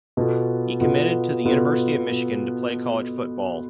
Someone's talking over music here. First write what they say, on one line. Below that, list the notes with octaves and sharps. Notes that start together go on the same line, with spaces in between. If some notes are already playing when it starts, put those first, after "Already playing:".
He committed to the University of Michigan to play college football.
B2 B3 F4 A4
B2 B3 F4 A4
B2 B3 F4 A4